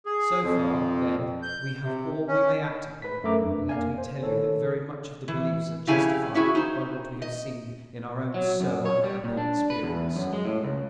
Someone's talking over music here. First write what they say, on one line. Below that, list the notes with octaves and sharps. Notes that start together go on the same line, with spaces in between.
So far, then, we have all we may act upon; and let me tell you that very much of the beliefs are justified by what we have seen in our own so unhappy experience.
G#4
F2
G6
C3
C#4
B4 B6
F#2 A3 A#4 E5 A#5 D6
F2 D4
A#3 F5 G#5
C5
D#3 A4 C#5
E3
F2 C#3 E4 G4 F5 G#5
C#4 E4 F#4 G#4
D#4 C5
D#5
F#3
F#2
C#5
G3
A#2
D4
B4
E2
F#2
G#3
A2
C#2